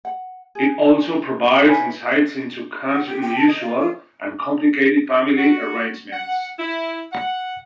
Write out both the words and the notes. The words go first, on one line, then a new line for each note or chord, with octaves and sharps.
It also provides insights into Kahn's unusual and complicated family arrangements.
F#5
G#4
D#4 E4 B4 C#5 G#5
F#5
G4
G5
A5
D#5
F4
F4
F#4
F#5
E4
F#5